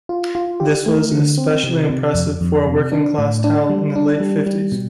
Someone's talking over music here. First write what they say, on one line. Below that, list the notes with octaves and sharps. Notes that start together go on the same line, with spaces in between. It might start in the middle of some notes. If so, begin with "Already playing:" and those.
This was especially impressive for a working class town in the late fifties.
F4
F4
G4
A3
D3
C4
C3
C3
F2
F2
C3
D4
A2
D4
G3
D4
G3
G3
B2